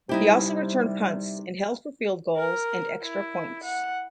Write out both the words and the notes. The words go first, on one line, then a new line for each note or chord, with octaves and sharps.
He also returned punts and held for field goals and extra points.
C3 G3 D#4 E4 G4
A#4
E4
F#5